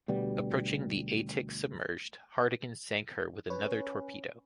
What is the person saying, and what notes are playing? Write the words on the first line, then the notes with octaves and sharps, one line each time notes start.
Approaching the "Atik" submerged, Hardegen sank her with another torpedo.
D2 B2 G3 B3
C#4 B4 C#5